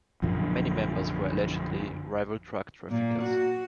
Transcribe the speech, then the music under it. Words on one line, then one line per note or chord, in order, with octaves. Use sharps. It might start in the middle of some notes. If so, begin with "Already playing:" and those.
Many members were allegedly rival drug traffickers.
A#1 F#2 D3 F3
A#2
F#4